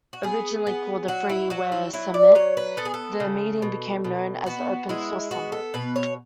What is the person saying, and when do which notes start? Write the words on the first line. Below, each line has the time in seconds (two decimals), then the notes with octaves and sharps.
Originally called the freeware summit, the meeting became known as the Open Source Summit.
0.13 F#4
0.23 B3 G#4
0.67 B3
1.08 F#3 F#4
1.29 E4
1.50 F#3 F#4
1.72 E4
1.93 F#3 E4
2.14 D5
2.35 F#3 C#5
2.57 B4
2.77 B3 A4
2.85 G#4
2.94 A4
3.20 C#3
3.62 B2
4.04 B2
4.46 B3 F#4
4.89 G#3 E4
5.31 B3 F#4
5.52 A4
5.74 B2 B4
5.96 C#5